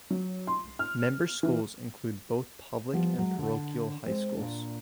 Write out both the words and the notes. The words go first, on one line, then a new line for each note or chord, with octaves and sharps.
Member schools include both public and parochial high schools.
F#3
C6
F6
E3
F3 G3 B3
F#3 G#3
D3
G#3 C4
A#2 A#3 D4